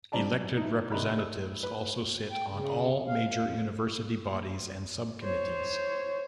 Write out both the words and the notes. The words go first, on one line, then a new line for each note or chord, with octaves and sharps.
Elected representatives also sit on all major University bodies and subcommittees.
G2 G3 C4 D5 A5 A#5
F#2
D#4 E4
C3 D#3 D4 D#5 B5 F#6
E6
B4
G5
C#3
F5
F2
C5 C#5